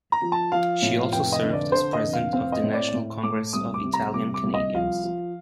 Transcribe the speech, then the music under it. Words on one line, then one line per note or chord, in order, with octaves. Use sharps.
She also served as president of the National Congress of Italian-Canadians.
A#5
F3
A5
F3 F5
A2
F1 G5
D#5
D3
D5
D3 C5
D#5
F1
F5
C4 F5
D#5
A2
D5
A2
A3 D6
C2 D#6
D6
C3
A#5
C2 D6
D6
C2
D#5
F3 F5
F3